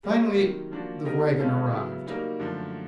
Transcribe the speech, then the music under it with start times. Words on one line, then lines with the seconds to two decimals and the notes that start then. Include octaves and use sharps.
Finally the wagon arrived.
0.03 G3 A#3 C#4
0.37 C3 D#3 F#3
0.71 F3 A#3 D4 F#4
1.05 G3 B3 D#4 G4 A#4
1.38 D#3 G#3 C#4 F4 A4
1.72 C#3 F#3 B3 E4
2.06 G3 A#3 D#4 F#4 A#4
2.39 F#2 D3 F3 A3